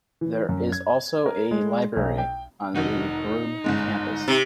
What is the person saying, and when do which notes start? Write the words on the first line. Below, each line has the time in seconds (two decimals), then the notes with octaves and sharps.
There is also a library on the Broome Campus.
0.21 E3
0.49 F#2
0.72 G#6
1.26 A#4
1.51 G#3
1.96 B1
2.18 G5
2.75 F1 D#3 D#4 F#4
3.64 G1 G#2 G#3
4.28 C3